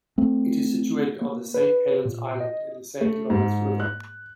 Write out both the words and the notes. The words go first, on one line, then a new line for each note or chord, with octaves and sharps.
It is situated on the Saint Helen's Island in the Saint Lawrence River.
A3 C4
A#3
B4
A#2
D#5
A3
G#2
F#6